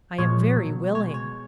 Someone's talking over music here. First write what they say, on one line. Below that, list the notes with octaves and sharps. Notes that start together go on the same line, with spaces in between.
"I am very willing."
A#2 F3 G#3 C#5
B2 F#3
B2 G#3 C#5
C#5